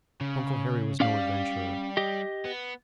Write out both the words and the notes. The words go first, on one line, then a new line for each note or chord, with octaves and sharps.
Uncle Harry was no adventurer.
C#3
G3 C#4 D5 F5
G4 D#5
B3